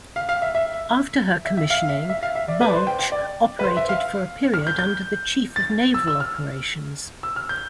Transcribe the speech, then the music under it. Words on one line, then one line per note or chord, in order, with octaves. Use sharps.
After her commissioning, "Balch" operated for a period under the Chief of Naval Operations.
F5
F5
E5
E5
E5
E5
F5
E5
E5
F5
E5
D5
B4
D5
C5
G5
G5
D5
B4
C5
E5
F5
F6
G6
G6
A6
E6
E6
F6
E6
F6
G6